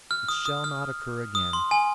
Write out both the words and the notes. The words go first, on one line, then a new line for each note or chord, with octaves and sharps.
'It shall not occur again.
F6
D#6
D#6
F6
D#6
C6
G#5